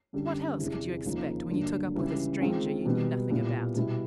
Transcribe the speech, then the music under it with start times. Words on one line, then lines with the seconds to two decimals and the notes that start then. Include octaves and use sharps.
What else could you expect when you took up with a stranger you knew nothing about?
0.13 F#2 D3 G3
0.59 E2 C3 E3
1.04 D#2 C#3 F3 A#3 D#4
1.50 G2 D3 F#3 A#3 D4
1.95 C#2 C#3 E3 G3
2.41 D#3 G#3 C4 F4 G#4
2.86 B2 G3 B3
3.30 A#2 G3 B3 E4
3.75 B2 G3 B3 E4